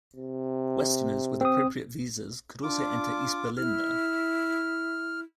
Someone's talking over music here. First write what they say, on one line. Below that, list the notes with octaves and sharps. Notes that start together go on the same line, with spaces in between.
Westerners with appropriate visas could also enter East Berlin there.
C3
C4 D#6
D4 F4 D6
E4 F6